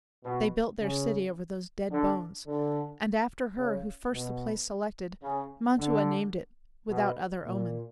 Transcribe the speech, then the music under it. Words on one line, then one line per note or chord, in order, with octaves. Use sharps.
They built their city over those dead bones, And, after her who first the place selected, Mantua named it, without other omen.
B2
C#3
D3
D3
C#3
B2
C#3
D3
B2
A#2